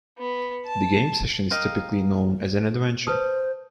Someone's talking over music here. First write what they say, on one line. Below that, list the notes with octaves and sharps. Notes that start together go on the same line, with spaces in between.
The game session is typically known as an adventure.
B3
A5
A#4 D#5 F5 G5
B4 C5 A5 D#6